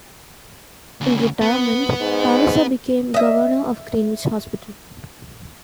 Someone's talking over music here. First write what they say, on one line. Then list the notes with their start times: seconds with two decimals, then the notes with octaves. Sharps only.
In retirement Palliser became Governor of Greenwich Hospital.
1.01 D2 C#3
1.41 B3
2.01 G#2
3.14 D#5 E5